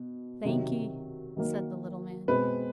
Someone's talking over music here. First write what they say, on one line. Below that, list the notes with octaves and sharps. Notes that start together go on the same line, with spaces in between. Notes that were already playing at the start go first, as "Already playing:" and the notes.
"Thankee," said the little man.
Already playing: B2
C3 D#3 F#3
D#3 F#3 A#3
B2 G#3 C4 B4